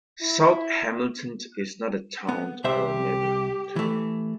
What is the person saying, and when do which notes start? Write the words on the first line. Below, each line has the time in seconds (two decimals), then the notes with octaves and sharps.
South Hamilton is not a town or neighborhood.
0.21 E4
2.29 B3
2.64 C2 G4 C5 E5
3.76 E3 A3